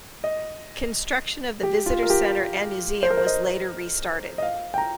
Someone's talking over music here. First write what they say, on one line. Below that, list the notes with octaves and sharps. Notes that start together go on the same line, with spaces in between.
Construction of the visitor center and museum was later restarted.
D#5
G4
F4
A#4
G4
C5
A#4
C5
D#5
D#5
F5
G5
A#5